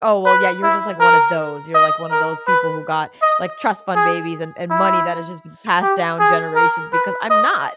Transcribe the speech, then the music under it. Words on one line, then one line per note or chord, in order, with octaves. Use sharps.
"Oh well, yeah, you're just like one of those, you're, like, one of those people who got, like trust fund babies and and money that has just been passed down generations.", because I'm not.
B4
E4
A#4
D#5
A#4
B4
D#5
G#4
E4
G4
G#4
A#4
B4
D#5